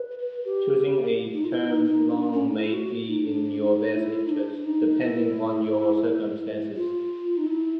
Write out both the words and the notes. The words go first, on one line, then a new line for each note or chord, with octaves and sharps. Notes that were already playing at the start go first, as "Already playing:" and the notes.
Choosing a term loan may be in your best interest, depending on your circumstances.
Already playing: B4
G4
D#4
F4
E4
D#4
D#4
D4
C#4
D#4
E4
F#4
D#4
D4
D#4
E4
D#4
D4
D#4
E4
F4
D#4
E4